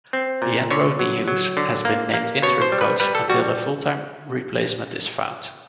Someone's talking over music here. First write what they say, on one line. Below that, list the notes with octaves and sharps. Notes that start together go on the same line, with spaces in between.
Leandro Niehues has been named interim coach until a full-time replacement is found.
C4
A#2
D3 C#5
F#3
F#3
D3
A#3
A#3
B2 C#5
C5
G3
B4
G3 B4
A4
G3 F#4